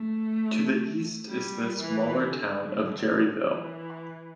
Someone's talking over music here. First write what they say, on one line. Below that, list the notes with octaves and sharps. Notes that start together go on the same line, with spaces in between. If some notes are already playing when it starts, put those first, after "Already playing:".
To the east is the smaller town of Jerryville.
Already playing: A3
G3
E3
D3
E3